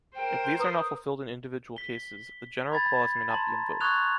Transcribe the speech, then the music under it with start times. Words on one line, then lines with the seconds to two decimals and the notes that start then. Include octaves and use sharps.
If these are not fulfilled in individual cases, the general clause may not be invoked.
0.15 A#4 C5 G5
0.59 B4 A#5 D#6
1.76 B6 G7
2.72 B5 G#6 A6
3.30 A5 A#5 C6 F#7
3.81 C#6 D#6 F6 F#6 G#6 F7